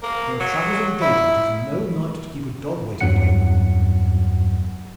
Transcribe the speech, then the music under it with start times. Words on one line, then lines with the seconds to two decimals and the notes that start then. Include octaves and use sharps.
There are travelers at the gate, and it is no night to keep a dog waiting at our door.
0.03 A#3
0.40 F#3
1.02 E4
3.00 E2 G2 F#3 F#5 C#7